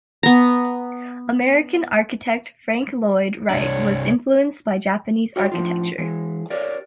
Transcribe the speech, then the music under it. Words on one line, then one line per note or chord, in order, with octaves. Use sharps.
American architect Frank Lloyd Wright was influenced by Japanese architecture.
B3 A#5
C2 D4 C#5
F#4 C#5 D#5 G5
A2 F3 F4
E3 G#3
G4 A#4 C#5 D5